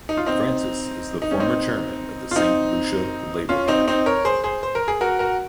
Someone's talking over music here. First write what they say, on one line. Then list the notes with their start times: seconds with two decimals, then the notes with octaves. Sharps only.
Francis is the former chairman of the Saint Lucia Labour Party.
0.09 D#4
0.17 F4
0.26 C4 D#4
1.22 D#4
1.31 C#4
1.40 C4 D#4
2.31 F4
2.35 C4 D#4
3.49 C#4 F4
3.68 C4 D#4
3.88 C4 D#4
4.06 A#4 C#5
4.25 G#4 C5
4.43 G#4 C5
4.63 C5
4.75 A#4
4.88 G#4
5.01 F#4 A#4
5.19 F#4 A#4